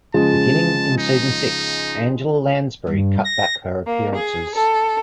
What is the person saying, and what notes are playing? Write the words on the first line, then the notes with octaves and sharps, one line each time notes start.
Beginning in season six, Angela Lansbury cut back her appearances.
C#3 F3 G#3 A5
D#4
G2
A#6
A#3
G#4
A4